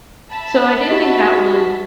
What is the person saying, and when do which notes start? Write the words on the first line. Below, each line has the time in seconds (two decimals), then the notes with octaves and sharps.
So I do think that would
0.30 E5 A5 B5
0.90 D#4 F#4 G4 D#5